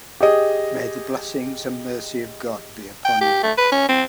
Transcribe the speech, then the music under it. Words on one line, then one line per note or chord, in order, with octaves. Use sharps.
May the blessings and mercy of God be upon you.
G4 G#4 D#5
G5
G4
A3
B4
C#4
C4